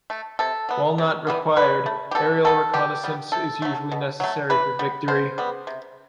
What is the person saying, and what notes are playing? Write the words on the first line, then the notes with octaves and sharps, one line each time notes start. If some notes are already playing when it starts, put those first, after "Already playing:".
While not required, aerial reconnaissance is usually necessary for victory.
A3
C3 A4
F#3 B3
C3
E3 G3 B3
D3 B4
A3
G4
B2 A4
G3 B3 A4
B2 G4
G3 B3
C3 A4
F#3 A3
B2
F#3 A3
E3 B4
G3 B3
B2 C5
G3 B3
C3